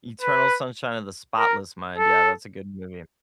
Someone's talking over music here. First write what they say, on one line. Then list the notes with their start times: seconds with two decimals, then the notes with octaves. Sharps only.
Eternal Sunshine of the Spotless Mind, yeah, that's a good movie.
0.21 B4
1.38 A#4
1.98 A4